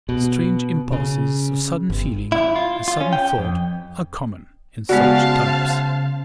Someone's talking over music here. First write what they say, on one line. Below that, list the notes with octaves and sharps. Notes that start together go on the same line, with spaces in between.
Strange impulses of sudden feeling and sudden thought are common in such types.
B2
C#3
G1
E4
F4
F4
C#4
G5
F2
C#3 G#3 B3 F#4 C5 D5 F5 A5